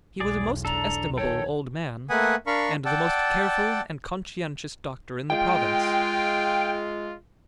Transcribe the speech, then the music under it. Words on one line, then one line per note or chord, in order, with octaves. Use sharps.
He was a most estimable old man, and the most careful and conscientious doctor in the province.
B1 E2 G#4 D5
D4 A4 A#5
D#3 A4 C#5 G5
A3 A#3 B4 F#5 G#5 D#6
D4 A#4 F5 B5 C#6
D5 F#5 G5 A5 E6
G#3 F4 G5